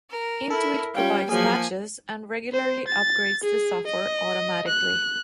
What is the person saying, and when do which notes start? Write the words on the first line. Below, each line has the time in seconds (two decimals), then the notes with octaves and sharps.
Intuit provides patches, and regularly upgrades the software automatically.
0.10 A#4
0.50 E4 A4 A#4
0.95 G3 C#4 F4 F5 G5
1.29 F3 F#3 A#3 G#4 G#5
2.53 C5
2.88 A6
3.43 G#4
3.87 D#5
4.68 F#6